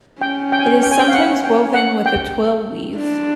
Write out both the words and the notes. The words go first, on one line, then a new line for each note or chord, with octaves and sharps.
It is sometimes woven with a twill weave.
C#4 G5
G5
G#5
G5
G5
G#5
G5
F5
F#5
G5
F#5
G5
D4